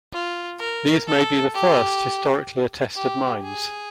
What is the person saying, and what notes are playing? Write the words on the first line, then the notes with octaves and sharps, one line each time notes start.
These may be the first historically attested mines.
F4
A#4
A4
G4
G4
G#4